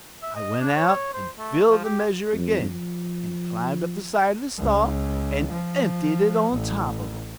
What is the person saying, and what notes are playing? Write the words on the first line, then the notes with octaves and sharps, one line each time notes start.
I went out and filled the measure again, and climbed up the side of the stall and emptied it on top of him.
E5
D#5
D4
C#5
C5
A3
F3
G4
F2
F3
C#2
F3
A1